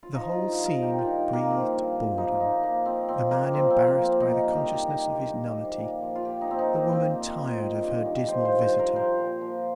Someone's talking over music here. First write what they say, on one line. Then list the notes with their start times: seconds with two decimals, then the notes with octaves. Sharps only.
The whole scene breathed boredom, the man embarrassed by the consciousness of his nullity, the woman tired of her dismal visitor.
0.03 F4
0.15 F3 D#4
0.32 F4
0.37 G2
0.60 F3
0.65 A#4
0.82 D#3 G4
0.93 D#4
0.99 F4
1.05 G2
1.27 D#3
1.33 A#3
1.50 F3 C4
1.73 G2
1.95 F3
2.18 F3 D#4
2.40 A#2 D#4
2.62 F3 A#3
2.86 F3 C4
3.08 A#2 C4
3.31 F3 A#3
3.53 F3 C4
3.70 C4
3.76 A#2
3.87 A#3
3.99 F3
4.04 C4
4.21 D#3 D#4
4.44 G2
4.55 G4
4.67 D#3
4.73 A#4
4.89 D#3
5.12 G2
5.34 D#3
5.57 F3
5.79 A#2
6.02 F3
6.15 F4
6.25 F3 G4
6.41 D#4
6.47 A#2 C4
6.59 D#4
6.69 F3
6.75 A#3
6.93 F3 C4
7.15 A#2
7.38 F3
7.60 D#3
7.83 G2
8.05 D#3
8.28 F3 C5
8.45 C5
8.51 G2
8.62 C5
8.73 F3
8.79 A#4
8.96 F3 C5
9.18 A#2
9.41 F3